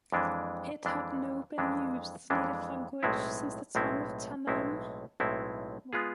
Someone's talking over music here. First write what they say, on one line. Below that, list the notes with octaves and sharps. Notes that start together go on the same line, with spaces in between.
It had no been used as native language since the time of Tannaim.
F2 E3 G#3 D4
F2 E3 G#3 D4
F2 E3 G#3 D4
F2 E3 G#3 D4
B1 A2 G#3 C4 E4
B1 A2 G#3 C4 E4
B1 A2 G#3 C4 E4
B1 A2 G#3 C4 E4
G#3 B3 F4 G#4